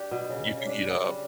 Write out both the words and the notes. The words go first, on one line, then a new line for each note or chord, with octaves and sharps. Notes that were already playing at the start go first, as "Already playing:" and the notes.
you can heat up.
Already playing: D4 G4
B2
C#3
C#3
D4
C#3
G3